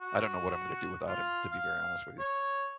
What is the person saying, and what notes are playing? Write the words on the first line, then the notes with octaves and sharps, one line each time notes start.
I don't know what I'm gonna do without him, to be very honest with you.
F#4
F4
F5
C#5